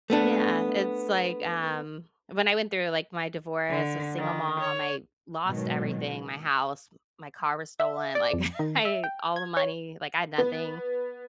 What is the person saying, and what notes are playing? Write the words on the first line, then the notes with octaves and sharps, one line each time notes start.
Yeah. It's like, um, when I went through, like, my divorce, as a single mom, I lost everything, my house, my car was stolen, like, I all the money, like, I had nothing,
A3 B3 D4
D3
D#3
C#5
G#2 B2 D#3 F#3
E5
D5
F2
D#3
E5
G5
G#6
C#5
B3